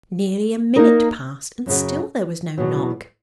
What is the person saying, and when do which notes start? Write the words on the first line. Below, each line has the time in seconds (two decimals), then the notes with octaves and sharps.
Nearly a minute passed, and still there was no knock.
0.76 A#3 D#4 A#4 D#5
1.66 F#2 C#3 F#3
2.58 E2 B2 F#3